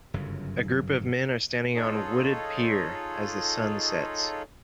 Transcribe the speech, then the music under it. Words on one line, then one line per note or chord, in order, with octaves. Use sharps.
A group of men are standing on wooded pier as the sun sets.
G1 F#2 C#3 F#3
D#4 F4 G#4 A4 C#5